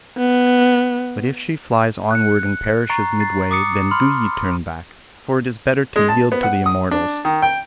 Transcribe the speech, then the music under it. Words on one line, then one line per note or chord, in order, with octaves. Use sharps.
But if she flies onward and perishes midway, then do ye turn back; for it is better to yield to the immortals.
B3
F#6 C#7
A#5 C#6 A6 C7
A6 C7
D6 D#6 C#7
B5 C6 F6
G#3
A5
B3
F#5
D#6
D4
D#3
G5